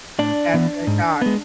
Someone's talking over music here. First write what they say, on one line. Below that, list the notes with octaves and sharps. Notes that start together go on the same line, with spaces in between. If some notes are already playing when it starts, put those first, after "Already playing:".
Th that's what I thought.
A2 D4 D5
E3 B3
G#2
G#3 B3